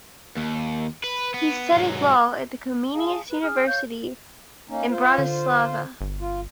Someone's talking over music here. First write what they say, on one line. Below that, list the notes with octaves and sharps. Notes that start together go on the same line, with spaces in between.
He studied law at the Comenius University in Bratislava.
D#2
B4
B3
G#2 F#3
G#4 F5 A5
B4
G#4 F6
C#5 F5 G6
A#3 C#4 D#4
F4 C5
D3
G1
F4